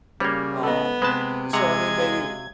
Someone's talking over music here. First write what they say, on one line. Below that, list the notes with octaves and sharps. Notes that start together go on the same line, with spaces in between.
Um, so I mean, maybe
C#3 G3 A#3 C#4 F#4 C#5
B3 A4 D#5
C3 G#3 B4 A5
C3 G#3 F#5 A#5 G#6
F#4 C#5 F5